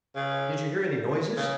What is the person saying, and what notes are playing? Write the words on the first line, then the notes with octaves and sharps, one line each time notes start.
"Did you hear any noises?"
C#3
C#3